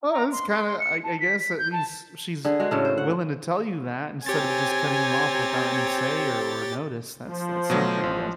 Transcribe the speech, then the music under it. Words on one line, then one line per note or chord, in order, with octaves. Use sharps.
Well, it is kinda I I guess, at least, she's willing to tell you that, instead of just cutting you off without any say or or notice. That's that's something, I guess?
A#5
C6
C6
C6
C#7
A5
B6
B6
G6
A5
D3 G#4
G#3 F#4
A2 C#3 A3
C5
F#5
C4 G4 C#5 G#5 A#5 A6
F3
B2 F#3 A3
A1